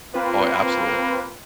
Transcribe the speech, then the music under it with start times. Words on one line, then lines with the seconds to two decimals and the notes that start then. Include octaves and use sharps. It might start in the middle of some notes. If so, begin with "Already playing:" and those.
Oh, absolutely.
0.14 A#3 C4 F4 B4